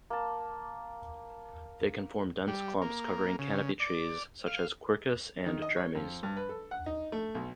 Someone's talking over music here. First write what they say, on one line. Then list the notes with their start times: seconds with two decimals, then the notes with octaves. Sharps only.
They can form dense clumps covering canopy trees such as "Quercus" and "Drimys".
0.10 A#3 A5
2.48 G3
2.82 A#3
3.39 C#3
3.80 D5
4.46 F5
5.46 D#3
5.62 D#5
5.77 C#5
5.95 F2
6.23 G2
6.37 B4
6.49 A4
6.71 F#5
6.86 D#4
7.12 A3
7.35 B1